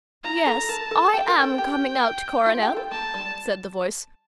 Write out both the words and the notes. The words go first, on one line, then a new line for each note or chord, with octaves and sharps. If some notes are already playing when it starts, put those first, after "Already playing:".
"Yes, I am coming out, Coronel," said the voice.
F4 A#5
A4
A#4 A5
A4
G4 G5
A#4
A4
G4
F4
G4
A4
A#3 A5
G3